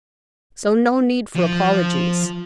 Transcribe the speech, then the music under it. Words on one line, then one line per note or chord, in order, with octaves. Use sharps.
"So no need for apologies."
F3